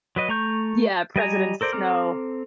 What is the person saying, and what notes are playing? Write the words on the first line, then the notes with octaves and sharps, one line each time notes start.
Yeah, President Snow.
F#3 B4 D#5
A3 A#5 C#6 G6
G3 D#5 G#5 A#5
A4 A#4 C5 D5
C4 A4 A#5 D6 F6